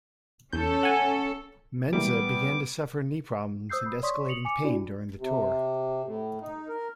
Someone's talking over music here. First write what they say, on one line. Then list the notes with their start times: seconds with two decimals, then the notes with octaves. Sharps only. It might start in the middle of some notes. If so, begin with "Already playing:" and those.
Menza began to suffer knee problems and escalating pain during the tour.
0.53 E2 C#4 A4 G6
0.83 F#5 G#5
1.93 E3 G3 G#3 A#3 B3 D6
3.69 C5 D#6 E6 G6 C7
3.86 B5
4.02 C#5 D5 C6 C#6 D#6 B6
4.29 C#7 F7 F#7
4.45 G#5 D6 C#7
4.64 D4 E4 F#4 D5
5.18 C3
6.05 A2
6.42 D#4
6.68 A#4